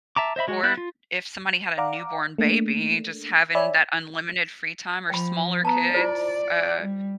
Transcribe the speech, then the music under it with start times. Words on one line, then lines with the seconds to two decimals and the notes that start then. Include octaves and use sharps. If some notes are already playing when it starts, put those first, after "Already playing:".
or if somebody had a newborn baby, just having that unlimited free time, or smaller kids, uh,
0.16 E5 A5 A#5 D6
0.36 C5 D#5 E5 B5
0.48 G#3 F#4
0.63 B3 E4 F#6
0.77 F4
1.78 D5 F5 F#5 A#5 D6
2.38 A3 A#3 D4
3.55 C#5 D5 E5 G#5 B5
5.10 F3 G5 B5
5.65 B3 A5 A#5
5.94 E4 F4 C5 D5
6.82 G3